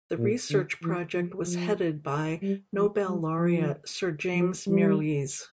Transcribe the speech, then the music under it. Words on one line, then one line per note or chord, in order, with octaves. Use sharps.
The research project was headed by Nobel laureate Sir James Mirrlees.
A#2
D3
E3
F3
F3
G3
F3
G3
F3
F3
G3